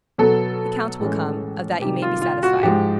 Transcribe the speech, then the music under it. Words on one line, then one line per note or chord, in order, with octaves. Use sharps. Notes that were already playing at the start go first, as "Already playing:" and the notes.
"The count will come, of that you may be satisfied."
B2 F#3 B3 A4
A2 E3 G#3 C#4
C3 D#3 G3 G4
F4
F4
F#4
G#2 F3 G#3 G4